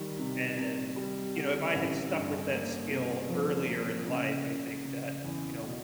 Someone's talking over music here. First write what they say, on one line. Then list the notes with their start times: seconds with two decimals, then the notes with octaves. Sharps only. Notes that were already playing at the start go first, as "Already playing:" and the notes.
And, you know, if I had stuck with that skill earlier in life, I think that, you know,
Already playing: D#3 G3
0.19 C3
0.58 C3
0.96 G3
1.36 D3
1.74 A1
2.13 G2
2.52 A#3
2.90 C3
3.30 F3
3.68 A#3
4.07 C#3
4.47 C#3
4.85 C#3
5.24 E2
5.63 B2